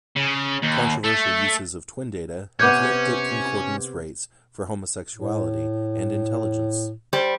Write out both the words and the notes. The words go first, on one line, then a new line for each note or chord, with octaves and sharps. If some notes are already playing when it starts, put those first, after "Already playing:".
Controversial uses of twin data have looked at concordance rates for homosexuality and intelligence.
C#3
D#2
A3
C3 B3 C#4 D6 G6 G#6
A2
G3 C5